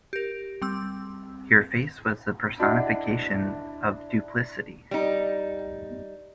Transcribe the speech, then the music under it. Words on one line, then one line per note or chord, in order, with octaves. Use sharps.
Your face was the personification of duplicity.
G4 A#4
G3 C4 E6
D4 E4 F#4 D#5 F#5
G3 D#4